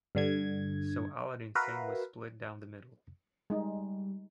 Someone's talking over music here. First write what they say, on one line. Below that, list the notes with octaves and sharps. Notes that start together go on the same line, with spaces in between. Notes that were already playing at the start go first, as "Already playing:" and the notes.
So "Aladdin Sane" was split down the middle.
G2 D3 G#6
F#4 A#4 B4 E5 F5
G3 G#3 D#4